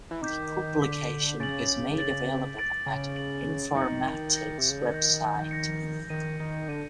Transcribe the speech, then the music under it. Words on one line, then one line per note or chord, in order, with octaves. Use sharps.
The publication is made available at Informatics Website.
E3
D#3 D6 G6 B6
D3 D6 G6 B6
C#3 A6 D7 F#7
A6 D7 F#7
A6 D7 F#7
C#3
A6 D7 F#7
D#3 G6 A#6 C#7
G6 A#6 C#7
C3
C#3
D3
D#3 G6 A#6 C#7
G6 A#6 C#7
D#3 G6 A#6 D#7
D#3
D3 G6 A#6 D#7